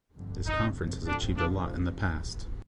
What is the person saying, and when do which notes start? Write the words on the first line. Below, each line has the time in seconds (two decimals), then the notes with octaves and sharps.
This Conference has achieved a lot in the past.
0.16 G1 F2 D3
0.46 G1 F2 C3 D#4
0.77 G1 F2 C3
1.06 A1 G2 D3 F3 C4 D4
1.36 F1 F2 D3 F3 D4